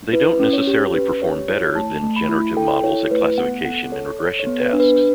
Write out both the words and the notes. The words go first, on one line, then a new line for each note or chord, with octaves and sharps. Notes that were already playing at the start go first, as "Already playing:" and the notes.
They don't necessarily perform better than generative models at classification and regression tasks.
E4 B4
C#4
C#5
G4
C#4 B4
G4 C#5
E4 C#5
A3 A5
A3
B5
E4
A4 G5
E4 C#5
A3 B4
B3 F#5
A4 F#5
A4 C#5
A4 C#5
C#5
B3
B4
D4
B4